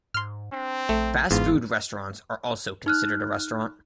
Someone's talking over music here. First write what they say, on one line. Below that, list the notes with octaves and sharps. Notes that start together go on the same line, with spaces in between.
Fast food restaurants are also considered a restaurant.
G#2 C6 F6
C4 D4
A#1 A3
G1 E2 G#2 F4
D#4 F6 F#6